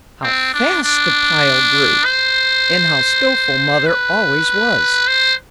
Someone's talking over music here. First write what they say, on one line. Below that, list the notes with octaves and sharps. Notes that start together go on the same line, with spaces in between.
How fast the pile grew! and how skilful mother always was.
C4
D4
D4
C5
B4
C5